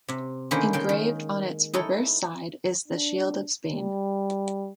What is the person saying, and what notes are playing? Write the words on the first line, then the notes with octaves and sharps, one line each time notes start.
Engraved on its reverse side is the shield of Spain.
C3
D3 D#3 A#3 C#4 B4 C5
C#3 G#3 G5
D#3
D#4 E4 A4 C#5
D4
G3